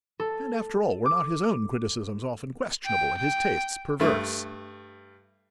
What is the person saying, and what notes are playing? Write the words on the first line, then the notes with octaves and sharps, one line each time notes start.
And after all, were not his own criticisms often questionable and his tastes perverse?
A4
D6
G5
G5
G2 A3